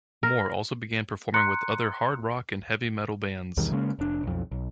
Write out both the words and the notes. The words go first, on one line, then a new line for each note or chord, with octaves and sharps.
Moore also began performing with other hard rock and heavy metal bands.
A#4
A#5 C6 F#6 C#7
B1 E2 D#3 G3
C#3 G#3 A#3 C#4
F1 D4
B1 F2
B1